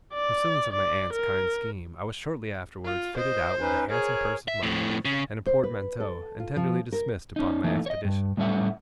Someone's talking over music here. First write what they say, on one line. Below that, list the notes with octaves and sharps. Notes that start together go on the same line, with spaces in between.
In pursuance of my aunt's kind scheme, I was shortly afterwards fitted out with a handsome purse of money, and a portmanteau, and tenderly dismissed upon my expedition.
D5
D5
A#4
F4
C5 D#5
C#4 D#4 B4
G#4 A#4 C#5
E5
F2 A2
C#3
C5
B4
A4
F4
F3
A#4
C#4 D#4
E3 A3 A#3 D#4
C#5 D#5
G2
A2 G3 C#4 A4 E5 F#5